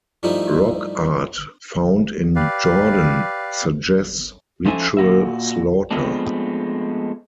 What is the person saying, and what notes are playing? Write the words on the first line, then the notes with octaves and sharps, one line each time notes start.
Rock art found in Jordan suggests ritual slaughter.
G2 F3 G3 A3 D#4 E4
G4 B4 D5 F5
F3 C#4 A4 C5 E5 G#5
A#2 F#4 E5
F3 G#3 A3 B3 C4 D4